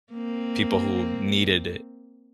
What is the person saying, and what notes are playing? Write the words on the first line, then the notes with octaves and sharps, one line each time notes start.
people who needed it
A#3 C4